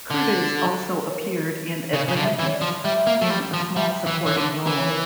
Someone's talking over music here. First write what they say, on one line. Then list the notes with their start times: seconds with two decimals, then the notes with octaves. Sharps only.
Curtiz also appeared in "Atlantis" in a small supporting role.
0.11 D3 A4
1.02 A#4
1.10 C#5
1.18 A#4
1.93 C#3 C#5
2.08 C#3
2.16 D3
2.24 E5
2.39 E3
2.45 C#5
2.54 D5
2.61 F3
2.84 G3 E5
3.07 A#3
3.22 A3
3.30 G3
3.54 F3
3.76 G3 E5
4.07 E3
4.22 E3 C#5
4.37 D3
4.67 E3 A#4
4.78 C#5
4.90 A#4